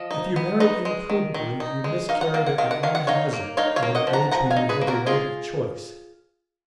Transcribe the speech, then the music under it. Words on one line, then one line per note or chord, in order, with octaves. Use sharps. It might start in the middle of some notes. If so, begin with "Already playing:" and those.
'If you married imprudently, you miscarried at your own hazard, at an age when you had a right of choice.
Already playing: F3 D#5
D#4
B3
D#4 B4 D#5
G#3
D#3
D#3
D#4
G#3
D#4 F5
F#5
A#3 F5
F#5
D#3 F5
F#5
D#3 F5
F#5
D#4 C#5 F5
A#3
D#4 C#5 F5
C#5 F5
A#3
D#5 F#5
F3
F#5 A#5
F3 F#5 A#5
F5 G#5
D#4
G#4 B4
A#3
F#4 A#4
G#3 F4 G#4